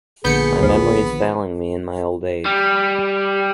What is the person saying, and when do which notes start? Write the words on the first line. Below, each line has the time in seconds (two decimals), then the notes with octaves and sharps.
My memory is failing me in my old age.
0.25 A#1 D3 B3 G#4 G6 C#7
0.61 D#2 F3
2.45 G3